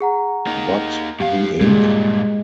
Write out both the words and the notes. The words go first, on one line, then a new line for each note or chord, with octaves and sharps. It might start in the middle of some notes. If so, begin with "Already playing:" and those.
But the ink?
G#4 F#5 A#5
A#3 D#4
F#2 G4 F5
G2 A#2 G#3